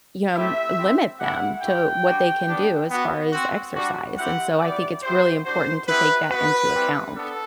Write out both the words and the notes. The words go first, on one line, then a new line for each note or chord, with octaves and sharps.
you know, m limit them to what they can do as far as exercise, and so I think it's really important to take that into account.
A3 C4 E4 G4 E5
C4 E4 G4
A3 E4 G4 F#5
A3 E4 G4 G5
G3 D4 F#4
B3 D4 G4
B3 F#4
C4 F#4
G3 D4 F#4
C4 E4 G4 F#5
B3 E4 G4 D5
B3 E4 G4 C5
G3 D4 F#4 C5
B3 E4 G4 B4
B3 F#4 B4
G3 C4 E4
B3 D4 A4